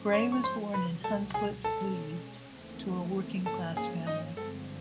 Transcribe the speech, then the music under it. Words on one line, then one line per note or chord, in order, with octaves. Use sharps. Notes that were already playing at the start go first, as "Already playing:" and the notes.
Bray was born in Hunslet, Leeds, to a working-class family.
Already playing: G#2 F3 A3 C#4
C#5 C#6
C#6
C5 C6
C#2 B2 F#3 B4 B5
A4 A5
G#4 G#5
B2 G#3 C#4 A4 A5
D#2 C#3 E3 A3 C4
G#2 F3 A#3 C#4 A4 A5
G#4 G#5
D#4 D#5
G2 D3 F3 G#3 C4 A4